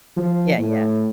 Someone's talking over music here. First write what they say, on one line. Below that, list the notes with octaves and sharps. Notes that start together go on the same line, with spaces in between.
Yeah, yeah.
F3
A2